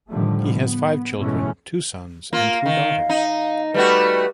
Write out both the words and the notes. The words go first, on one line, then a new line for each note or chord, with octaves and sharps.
He has five children, two sons and three daughters.
A2 D3 D#3 F3 G3 A3
B3
G#2 B2 E3 G#3 A3 C#4
A#3 F4 F5
D#3
D#4
G3 A3 F#4 B4